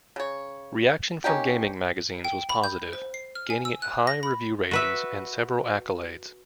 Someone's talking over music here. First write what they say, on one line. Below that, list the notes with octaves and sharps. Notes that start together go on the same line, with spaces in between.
Reaction from gaming magazines was positive, gaining it high review rating and several accolades.
C#3 C#5
A#3 C#4 D#4 G4
G5
B5
G6
C5
C7
F6
G#5
E6
F#6
A#6
B5
F#4 B4 E5